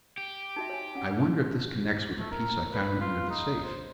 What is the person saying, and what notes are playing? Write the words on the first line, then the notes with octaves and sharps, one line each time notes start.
"I wonder if this connects with the piece I found under the safe?"
G4
D#4 F#4 E5
C#5 G#5
C#4 F#5
A3
A#4
B4
F4
D#4
C5